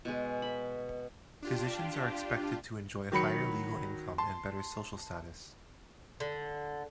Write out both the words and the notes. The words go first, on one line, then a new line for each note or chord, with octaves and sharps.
Physicians are expected to enjoy higher legal income and better social status.
B2 G#3
B5
D4 F4 G4
D#3 F#3 B5 C#7
A5 C6
D3